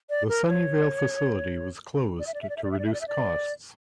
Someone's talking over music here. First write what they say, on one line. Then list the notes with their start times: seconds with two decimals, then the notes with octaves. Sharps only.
The Sunnyvale facility was closed to reduce costs.
0.10 D5
0.29 A#4
0.49 C#5
2.19 D5
2.27 E5
2.34 D5
2.42 E5
2.49 D5
2.57 E5
2.64 D5
2.71 E5
2.79 D5
2.86 E5
2.93 D5
3.01 E5
3.08 D5